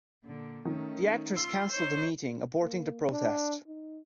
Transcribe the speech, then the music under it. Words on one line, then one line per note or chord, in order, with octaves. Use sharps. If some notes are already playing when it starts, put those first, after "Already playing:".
The actors cancelled the meeting, aborting the protest.
A#2 D3
D#3 A3 C#4
F4 C6 E6
D#4 C5 C#5
A#3
D4
D#4